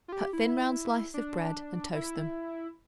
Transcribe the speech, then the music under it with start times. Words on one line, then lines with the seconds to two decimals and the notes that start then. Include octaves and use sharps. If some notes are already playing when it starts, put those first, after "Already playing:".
Cut thin round slices of bread and toast them.
0.08 F4
0.12 G4
0.33 E4
1.14 D4
1.95 E4